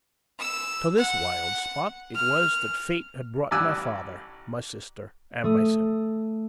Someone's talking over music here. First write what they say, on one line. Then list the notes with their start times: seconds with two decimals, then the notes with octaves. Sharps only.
To this wild spot it was that Fate had brought my father, my sister, and myself.
0.39 E6
0.98 F#5
2.16 F6
3.51 A1 G2 D5 G#5 E6 F#6
5.44 A3 D#6